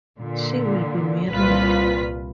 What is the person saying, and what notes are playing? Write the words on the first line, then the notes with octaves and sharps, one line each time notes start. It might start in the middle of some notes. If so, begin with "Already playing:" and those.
She will be married!
A#2 D3
C2 A#2 F4 B4 B6